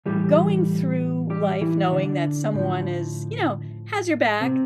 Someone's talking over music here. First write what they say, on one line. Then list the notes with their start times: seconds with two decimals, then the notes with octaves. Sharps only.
going through life knowing that someone is you know, has your back
0.06 A2 E3 G3 G4
1.30 G3 G4
1.61 E3 E4
1.92 D3 D4
2.54 A2 F3
4.41 C3 C4